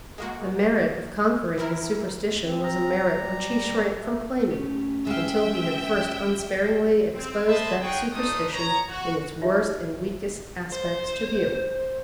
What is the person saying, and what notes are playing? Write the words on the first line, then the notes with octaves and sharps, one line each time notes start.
The merit of conquering his superstition was a merit which he shrank from claiming, until he had first unsparingly exposed that superstition in its worst and weakest aspects to view.
G#3 A#3 F#4
E3 E4 A#4
C4
A#5
G3
A3
A3 C#4 G4
G#3 E5 F5 G5
C4
C5 D#5 E5 A5 B5 C6
D#4 G#4 C#5 F#5 G5
A3 D4 D#4 F4 D#6
C#5 A#5
F#4
D#4 F4 G4 C#5 E5
C5